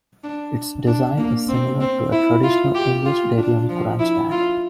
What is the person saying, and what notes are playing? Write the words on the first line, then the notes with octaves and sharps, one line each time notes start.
Its design is similar to a traditional English stadium grandstand.
D4
D4
A#3
C4
C4
E4
F4
G4
F4
D4
F3
E4
F4